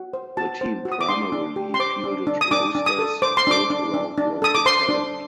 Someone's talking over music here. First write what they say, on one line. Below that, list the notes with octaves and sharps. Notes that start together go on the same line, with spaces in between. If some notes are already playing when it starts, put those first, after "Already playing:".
The team primarily fielded rosters built around local talent.
Already playing: F#4
C5
F#4 A5
C5
F#4
D#6
D6
D4 C6
D4
G4
C6
C5 D6
D4
D4
D#6
D4 D6
D4
D#6
A4
C5 D6
C6
D4 D6
D4
D4
D4
A4 D#6
D6
C5 C6
D4